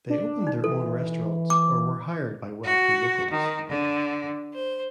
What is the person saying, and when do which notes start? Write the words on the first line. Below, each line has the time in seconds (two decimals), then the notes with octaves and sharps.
They opened their own restaurants or were hired by wealthy locals.
0.09 D4
0.47 D#4
0.64 E3 A4
1.50 D6
2.63 F#4
3.31 D#3
3.68 D3
4.55 C5